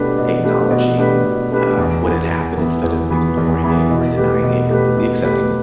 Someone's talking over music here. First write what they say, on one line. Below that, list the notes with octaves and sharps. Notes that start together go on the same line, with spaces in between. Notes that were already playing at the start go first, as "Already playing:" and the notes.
acknowledging, uh, what had happened instead of ignoring it or denying it, completely accepting it.
Already playing: B2 A3 D4 G4 B4
B2
A3 D4 G4 B4
B2
A3 D4 G4 B4
B2
A3 D4 G4 B4
E2
E3 B3 E4
E2
E3 B3 E4
E2
E3 B3 E4
E2
E3 B3 E4
B2
A3 G4 B4
B2
A3 G4 B4
B2
A3 G4 B4